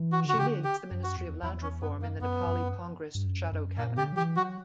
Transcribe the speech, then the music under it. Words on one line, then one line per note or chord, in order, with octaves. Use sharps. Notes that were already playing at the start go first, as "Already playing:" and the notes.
She leads the Ministry of Land Reform in the Nepali Congress shadow cabinet.
Already playing: E3
F#4
D3 F#4
C#3 G4
D3
G4
F#2
F#4
E2
E2 E4
C#4
F#2 B3
A#3
F#2 B3
F#2
G2
F#2
F#2
A#2 A#3
D3 G4
F#3
E3 G4
F#3 F#4